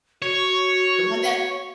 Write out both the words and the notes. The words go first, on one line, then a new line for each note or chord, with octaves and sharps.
the one that
F#4 C#5